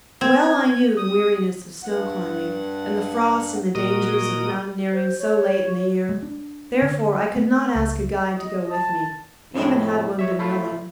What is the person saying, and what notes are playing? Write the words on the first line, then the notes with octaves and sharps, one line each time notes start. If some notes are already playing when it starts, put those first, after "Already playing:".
Well I knew the weariness of snow-climbing, and the frosts, and the dangers of mountaineering so late in the year; therefore I could not ask a guide to go with me, even had one been willing.
C4 G#6
D#6
G2 F#5
A#2 F#4 A#4 D#5 D#6
C5
C#5
G#3
D4
D3
A3
C#2
D#5
A5
F2 A2 G#3
C#5 E5
A3 E4 F4